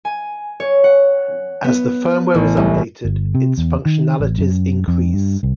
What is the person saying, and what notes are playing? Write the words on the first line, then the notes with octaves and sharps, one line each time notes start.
As the firmware is updated, its functionalities increase.
G#5
C#5
F#5
B3
A1
C2
G1
C3
E2
D#3
A1
F#2
F2
G2
C2